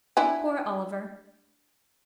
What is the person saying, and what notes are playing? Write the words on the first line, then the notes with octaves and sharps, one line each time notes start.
Poor Oliver!
D4 E4 G#5